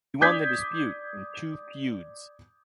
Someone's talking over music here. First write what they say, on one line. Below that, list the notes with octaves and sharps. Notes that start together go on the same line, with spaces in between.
He won the dispute in two feuds.
D5 D6 D#6 G6 G#6 B6